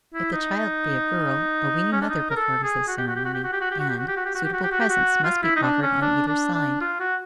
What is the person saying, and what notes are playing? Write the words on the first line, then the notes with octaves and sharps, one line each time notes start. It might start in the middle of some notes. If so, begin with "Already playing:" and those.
If the child be a girl, a weaning mother performs this ceremony, and suitable presents must be offered on either side.
E4
D#4
C#4
D4
D#4
A#4
A4
G#4
F#4
G4
F#4
G4
F#4
G4
F#4
G4
F#4
G4
F#4
G4
F#4
G4
F#4
G4
F#4
G4
F#4
G4
F#4
G4
F#4
F4
E4
D#4
D4
C#4
D4
D4
D4
F4
F#4